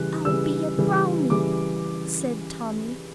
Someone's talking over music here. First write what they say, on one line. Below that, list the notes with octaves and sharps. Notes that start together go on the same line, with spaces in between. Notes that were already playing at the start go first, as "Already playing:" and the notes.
"I'll be a brownie," said Tommy.
Already playing: C#3 E3 G3 F#6
C#3 E3 G3 E6
C#3 E3 G3
C#3 E3 G3 D6